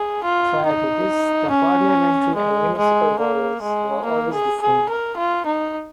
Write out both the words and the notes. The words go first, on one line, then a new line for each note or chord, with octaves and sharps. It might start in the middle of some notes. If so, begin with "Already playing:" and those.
Prior to this, the Parliamentary and Municipal Boroughs were always the same.
Already playing: G#4
F4
D#4
C#4
G#3
G#3
A#3
G#3
A#3
G#4
G#4
A#4
F4
D#4